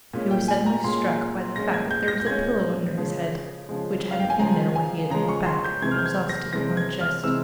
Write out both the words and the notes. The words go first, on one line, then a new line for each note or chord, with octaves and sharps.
He was suddenly struck by the fact that there was a pillow under his head, which hadn't been there when he had leant back, exhausted, on the chest.
A#2 G#3 C#4
G5
G#5
A#5
A#2 G#3 C#4 C6
A#2 G#3 C#4 A#6
G#6
G6
A#6
G6
A#2 G#3 C#4 G#6
C#3 F3 G#3
C#3 F3 G#3
F5
G5
G#5
C#3 F3 G#3 A#5
G#5
C#3 F3 G#3 A#5
C#6
C6
G6
C3 E3 G#3 C4 G#6
F6
G6
G#6
A#6
C3 E3 G#3 C4 A#6
G#6
F6
C3 E3 G#3 C4 E6